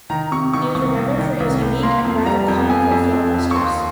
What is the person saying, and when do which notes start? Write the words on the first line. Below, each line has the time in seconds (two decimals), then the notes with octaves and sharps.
He is remembered for his unique and rather comical filibusters.
0.10 D#3 A#5
0.32 C3 C#6
0.53 D#3 C#6
0.75 C2 C#6
0.97 C2
1.18 D#3
1.40 C2
1.62 C2
1.83 A#3 C6
2.04 F2
2.26 G3 A#5
2.48 F2
2.69 F2 G#5
2.91 F2
3.13 F2
3.34 F2
3.51 C#6
3.56 D#2 C6